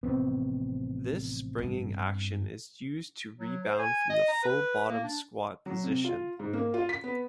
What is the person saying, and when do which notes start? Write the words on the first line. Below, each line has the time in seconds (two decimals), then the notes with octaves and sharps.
This springing action is used to rebound from the full bottom squat position.
0.03 A1 C3 F3 B3 C4
1.58 G2
3.38 F#3
3.64 C5
3.79 G#5
4.09 D#5
4.28 A#5
4.43 B4
4.88 A#3
5.03 D4
5.66 F#3
5.84 C3
6.04 F4
6.39 G#2
6.53 A#3
6.74 F4
6.89 B6
7.04 B3